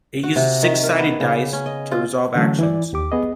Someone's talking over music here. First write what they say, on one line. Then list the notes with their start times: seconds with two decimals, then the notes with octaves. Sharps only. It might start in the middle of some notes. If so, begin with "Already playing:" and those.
It uses six-sided dice, to resolve actions.
0.23 F#4
0.36 C3
0.63 D#3
0.84 A#4
0.99 B3
1.20 C#3
1.53 C#4
1.66 D#5
1.91 F4
2.35 D3 E3 F#3 A3 C#4
2.59 E3 E4 D5
2.93 D#2 G4 D6
3.12 B3 G#4 D#5